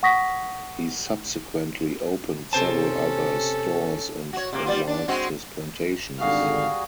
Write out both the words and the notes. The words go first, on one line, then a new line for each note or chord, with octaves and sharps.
He subsequently opened several other stores and enlarged his plantations.
F#5 C#6 D#6 A#6 B6
C3 C#4 A4 C5 A5
F#4 C#5
C3 A#3
G3 B3 F4
D4
G#3 C4 F#4
G#1 D3 G3 F#4 G#4 F5